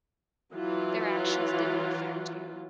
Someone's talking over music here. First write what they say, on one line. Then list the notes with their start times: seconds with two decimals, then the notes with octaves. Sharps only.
their actions didn't affect you.
0.53 E3 F#3 F4